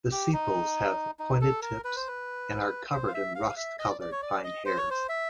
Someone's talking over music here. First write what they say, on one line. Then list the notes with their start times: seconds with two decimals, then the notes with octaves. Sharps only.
The sepals have pointed tips and are covered in rust colored fine hairs.
0.12 G4
0.33 D#4
1.19 D#4
1.41 A4
1.62 A#4
1.84 B4
1.96 C5
2.07 B4
2.92 C5
3.08 F5
3.14 E5
3.35 F5
3.57 E5
3.79 D#5
3.90 D5
4.01 D5
4.12 C#5
4.22 D5
4.44 D#5
4.66 C5
4.77 C#5
4.91 C5
5.09 E5